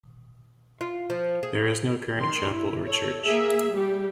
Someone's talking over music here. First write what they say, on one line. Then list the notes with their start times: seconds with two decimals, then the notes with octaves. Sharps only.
There is no current chapel or church.
0.81 F4
1.10 F3
1.43 G#4
2.16 D#3 C6
2.49 E4
2.87 A4 C#5
3.24 A#3 G#4 E5
3.72 G3 G4